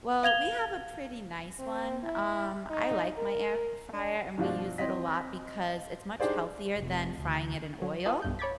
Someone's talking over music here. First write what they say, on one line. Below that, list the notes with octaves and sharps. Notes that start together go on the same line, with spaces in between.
Well, we have a pretty nice one, um, I like my air fryer, and we use it a lot because it's much healthier than frying it in oil.
F5 G#6 F7 G7
C4
E4
D#4
A#4
D4
G2 B2 F3 D4 F4 F#4
E3 C4 D#5 B6
D4 D#4 G4 G#4 C5 D5
F1
D2
F#3
F4 B4 C#5 F5 A5 D#6
B1 G2 G6
C#5 B5 D6 G#6 A6 B6